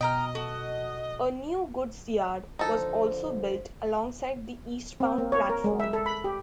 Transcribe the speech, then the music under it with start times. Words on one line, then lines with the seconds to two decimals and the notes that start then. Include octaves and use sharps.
A new goods yard was also built alongside the eastbound platform.
0.01 B2 D#5 G5 A#5 F6
0.35 F#4 A4
2.59 D3 F3 D#4 A4 C5
5.00 C4
5.18 A#3
5.32 C#5
5.49 A#4
5.64 G#3
5.80 E5
5.93 A4
6.06 B5
6.24 G4